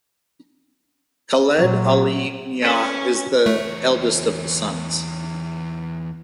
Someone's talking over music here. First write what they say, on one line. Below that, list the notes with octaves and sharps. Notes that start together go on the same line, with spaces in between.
Khaled Ali Miah is the eldest of the sons.
A#2 F#3
C#4 A4 B4 E5
E2 A3 C#5